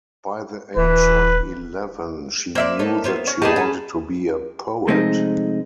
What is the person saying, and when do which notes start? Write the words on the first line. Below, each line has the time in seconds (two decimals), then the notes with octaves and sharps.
By the age of eleven, she knew that she wanted to be a poet.
0.77 D#1 E3 B4
2.55 A#3 C5 D5 E5
2.79 D#4 A4 C#5
3.04 B3 C5 C#5
3.27 C#4
3.42 A#3 D#4 G4 G#4 B4 A5
3.56 C#4
4.88 C3 F3 G#3 A3 C4 D#4